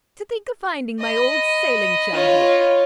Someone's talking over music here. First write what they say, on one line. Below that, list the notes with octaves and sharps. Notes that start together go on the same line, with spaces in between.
To think of finding my old sailing chum here!
D#5 B5
F4 C#5